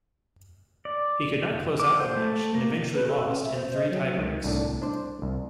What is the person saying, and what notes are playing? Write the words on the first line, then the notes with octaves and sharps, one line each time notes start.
He could not close out the match and eventually lost in three tiebreaks.
D5
D6
C5
A3
A#3
B4
A4
C#4
E5
C5
D#5
F#3
C#2 D#3
C2 A2 D4
D4 C5 D5
C2